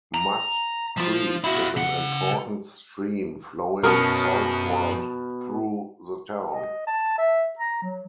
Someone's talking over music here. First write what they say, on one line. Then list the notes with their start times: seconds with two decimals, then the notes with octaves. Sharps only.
Mud Creek is an important stream flowing southward through the town.
0.14 A#5
0.97 F3 F4
1.44 E4 F#4
1.76 C#3 F#5
3.83 F#2 B2 C#4 A#4 A5 D#6 F6
6.49 D#5
6.87 A5
7.18 E5
7.59 A#5
7.82 F#3